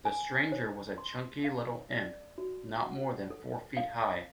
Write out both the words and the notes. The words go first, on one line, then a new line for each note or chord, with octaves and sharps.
The stranger was a chunky little imp, not more than four feet high.
G#5
C5
C6
F5
D5
F#4
F#5
A4
F5